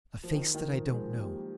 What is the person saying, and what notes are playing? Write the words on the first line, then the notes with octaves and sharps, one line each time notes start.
A face that I don't know.
F3
D#3
D#3
F3
F3 G#3
G3 A#3